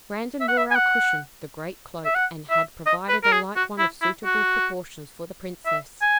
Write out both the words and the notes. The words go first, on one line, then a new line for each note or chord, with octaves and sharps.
Brandon wore our cushion, the great cloak, and had provided a like one of suitable proportions for the princess.
E5
F#5
E5
G#5
F#5
E5
F#5
E5
D#5
B4
A#4
G#4
F#4
E4
E4
F#4
E5
G#5